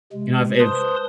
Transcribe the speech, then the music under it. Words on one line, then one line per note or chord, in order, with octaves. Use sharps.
You know, if if
C3 G#3
B4 C5 A5 C6 D#6